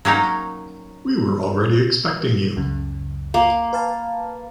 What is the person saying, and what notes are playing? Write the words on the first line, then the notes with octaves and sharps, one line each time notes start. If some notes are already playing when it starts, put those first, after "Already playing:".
We were already expecting you.
F#3 A#3 C#4 D#4
C#2 F#2 C#3
A#3
B4 F5 A5